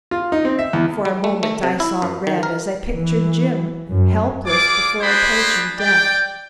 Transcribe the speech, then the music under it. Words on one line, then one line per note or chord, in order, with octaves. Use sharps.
For a moment I saw red as I pictured Jim, helpless before approaching death.
F4
D#4
C4
E5
E2
G3
A3
A3
C3
E4
F#2
D#3
A#4
E3
F#2
F4 G#4 D5 D6
D4 F#4 G#4 C5 B5
D5 G5